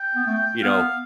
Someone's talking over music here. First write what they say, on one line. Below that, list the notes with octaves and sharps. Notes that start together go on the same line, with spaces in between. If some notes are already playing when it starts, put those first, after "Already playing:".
you know
Already playing: G5
B3
A3
G5
B3 F5